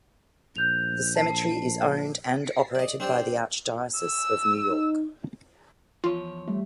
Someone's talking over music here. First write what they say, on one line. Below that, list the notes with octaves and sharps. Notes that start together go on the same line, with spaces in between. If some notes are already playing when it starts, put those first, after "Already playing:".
The cemetery is owned and operated by the Archdiocese of New York.
A#1 F#6 G6 F7
A5 C7
D5 D#5
C4 D4 G4 D5
E6
D#4
E2 F3 F4 C#5
G3 A3